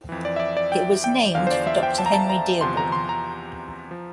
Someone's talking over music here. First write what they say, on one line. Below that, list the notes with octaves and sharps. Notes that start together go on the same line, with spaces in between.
It was named for Doctor Henry Dearborn.
F2 E3
D5
E5
D5
D5
G5
G5
E2 D3 F3 F5
C5
D5
E5
G5
A5
A#5
A5
A#5
E2 C3 F3 C6
A#5
C6
A#5
F3